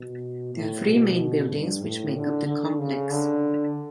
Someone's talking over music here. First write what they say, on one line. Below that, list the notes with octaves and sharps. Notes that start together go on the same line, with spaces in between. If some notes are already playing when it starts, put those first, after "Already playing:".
There are three main buildings which make up the complex.
Already playing: B2
A2
B2
G2
A2
D3
D3
C#3
D3